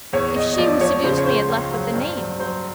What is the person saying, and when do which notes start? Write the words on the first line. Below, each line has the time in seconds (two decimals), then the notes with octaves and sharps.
If she who seduced me had left but the name.
0.13 E2 C#5
0.36 E2 D#5
0.54 D#5
0.58 F3 D5
0.81 F3 C#5
1.04 C#3 C5
1.18 C#5
1.26 C#2 C5
1.50 C#2
1.71 F#3
1.94 G2
2.17 F#3
2.39 F#3 C5